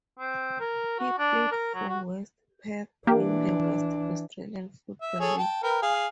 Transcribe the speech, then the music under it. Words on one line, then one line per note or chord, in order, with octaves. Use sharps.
He played for West Perth in the West Australian Football League.
C4
A#4
F#4
D4
A#4
F#3
F#4
E3 A#3 D4 G4
E5
G#4 A4 C#5
G5 A5
A#4 B4 G5
G#4 F5